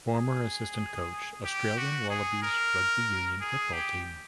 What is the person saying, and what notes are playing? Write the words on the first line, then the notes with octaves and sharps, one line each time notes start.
Former assistant coach Australian Wallabies Rugby Union Football team.
G#4
G4
F#4
G#4
A#4
G#4
G4